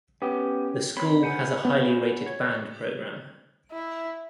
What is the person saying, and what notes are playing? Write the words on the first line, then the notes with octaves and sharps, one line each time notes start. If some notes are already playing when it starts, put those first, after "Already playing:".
The school has a highly rated band program.
B3 C#4 G4
C4 C#5 B5 C6
C5 F#5 G#5
B3
C#5
E4